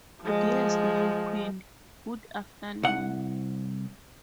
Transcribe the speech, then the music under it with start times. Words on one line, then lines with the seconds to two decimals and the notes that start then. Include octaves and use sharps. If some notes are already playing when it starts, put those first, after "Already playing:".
Dear Snow Queen, good afternoon.
0.22 F3 G#3
2.83 C2 F#5